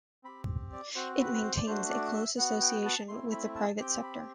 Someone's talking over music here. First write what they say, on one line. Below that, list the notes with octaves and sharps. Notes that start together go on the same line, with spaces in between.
It maintains a close association with the private sector.
C4 G4 B5
D5
C4 F#4 C5
B4
B4
C5
D5
A3 D4 F#4 C5
D5
E5
B3 F#4 F#5
G5
A5
A3 C4 E4 C6
B5
A5
C4 G4 G5
B5